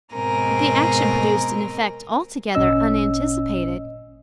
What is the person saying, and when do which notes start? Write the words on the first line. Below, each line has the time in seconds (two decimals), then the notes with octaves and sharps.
But the action produced an effect altogether unanticipated.
0.13 G#2 B2 C4 A#4 G#5 A#5
2.55 G#1 A#2 C#4 D#5 E6